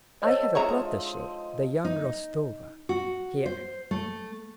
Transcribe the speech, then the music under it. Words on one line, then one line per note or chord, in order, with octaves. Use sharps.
I have a protegee, the young Rostova, here.
F#4 A4 C5 C#5 D#5 E5
F3 G#3 D4 D#4 G#4 C#5 E5 A#5
D#4
F#4
C5
A3